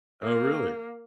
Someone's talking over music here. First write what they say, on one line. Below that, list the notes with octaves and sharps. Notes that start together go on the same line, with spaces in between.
Oh, really?
A#3